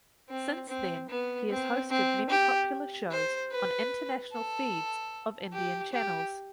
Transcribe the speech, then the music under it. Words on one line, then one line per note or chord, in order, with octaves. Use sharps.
Since then he has hosted many popular shows on international feeds of Indian channels.
C4
C4
B3
C4
C4
G4
C5
B4
A4
G4
G4